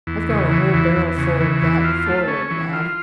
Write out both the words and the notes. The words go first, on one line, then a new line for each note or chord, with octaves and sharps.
"I've got a whole barrel full of that forward, lad."
E2
C#3
E3
E2
E2
C#3
E3
E2
F4
A3
C#4
E3
F4